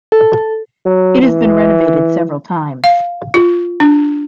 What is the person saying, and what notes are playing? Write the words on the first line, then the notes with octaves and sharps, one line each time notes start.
It has been renovated several times.
A4
F#3
E3
F5
F4
D4